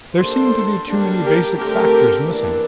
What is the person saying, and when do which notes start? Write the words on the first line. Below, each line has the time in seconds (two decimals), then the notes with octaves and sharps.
There seem to be too many basic factors missing.
0.18 G3 A#3 D4 A4 C5
0.87 G3 A#3 D4
1.22 G4 A#4
1.56 D3 A3 C4 G4 A#4
2.25 E3 A#3 D4